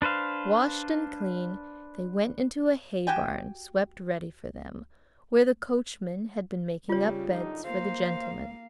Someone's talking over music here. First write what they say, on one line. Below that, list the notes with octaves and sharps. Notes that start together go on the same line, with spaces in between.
Washed and clean, they went into a hay-barn swept ready for them, where the coachman had been making up beds for the gentlemen.
D4 B4 C5 F5
F#4 G4 G5 G#5
C#3 G3 F4 C#5
F#2 D3 D#4
A#3 C5 F5